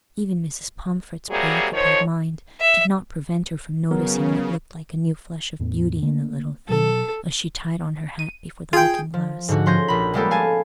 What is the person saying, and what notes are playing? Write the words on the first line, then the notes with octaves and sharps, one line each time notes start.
Even Mrs. Pomfret's preoccupied mind did not prevent her from noticing what looked like a new flush of beauty in the little thing as she tied on her hat before the looking-glass.
C3 F#3 G3 A#3 G#4
D#3 F3 C5 C#5
E5
C#3 F#3 B3 A#4
E2 A2 B3
D3 A3 A#3
B2 F#3 A4
D#7
F4 G#4 G5
F3
G#2 D3 F#4
F3 C#4 C6 G6 A#6
A#1 B5
G3 G#3 A#3 B3 G4 A4
F5 G#5 A5